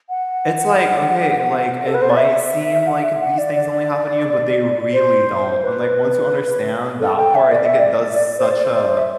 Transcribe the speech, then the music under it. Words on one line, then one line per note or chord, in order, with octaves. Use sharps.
It's like, "Okay," like, "it might seem like these things only happen to you, but they really don't." And, like, once you understand that part, I think it does such a
F#5
A4
B4
C5
D5
E5
F#5
E5
F#5
D5
D5
C5
B4
A4
G5
E5
D5
E5
D5
C5
D5
C5
E5